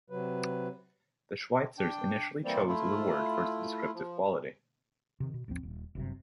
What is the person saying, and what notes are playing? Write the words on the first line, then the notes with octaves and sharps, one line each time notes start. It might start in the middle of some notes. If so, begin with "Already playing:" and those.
The Schweitzers initially chose the word for its descriptive quality.
C3 F#3 B4
D4 G5
E3 G3 A#3 C4 C5 D5
A3 E4 F4
F3
C3 D#3
B2
A1 D#2 F3 C4
D#1
G1 F#2 A2 C3